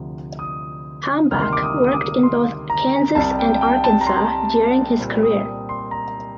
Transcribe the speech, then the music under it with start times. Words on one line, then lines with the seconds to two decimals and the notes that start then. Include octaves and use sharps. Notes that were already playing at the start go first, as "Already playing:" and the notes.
Hambach worked in both Kansas and Arkansas during his career.
Already playing: D2 C3 F3
0.39 D#6
1.31 D2 C3 D#3 G3 A#3 F6
1.42 C6
1.53 D6
1.63 D#6
1.84 D#6
1.93 D6
2.23 C6
2.70 A#5
3.15 C2 C3 G3 A5
3.39 G5
3.61 G5
3.84 A5
4.01 A#5
4.07 C6
4.99 A#2 G3 C4
5.23 D#6
5.69 C6
5.91 A#5